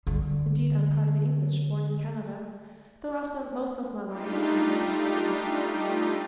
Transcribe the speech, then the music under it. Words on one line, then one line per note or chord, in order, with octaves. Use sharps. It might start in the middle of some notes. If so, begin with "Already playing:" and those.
Indeed, I'm partly English, born in Canada, though I've spent most of my life in the United States.
D3 G3
G3 A3 D4 D#4 F4 G4